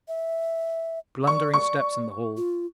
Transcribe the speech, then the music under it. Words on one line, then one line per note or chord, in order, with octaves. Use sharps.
Blundering steps in the hall.
E5
D5 C#6
C#6
F4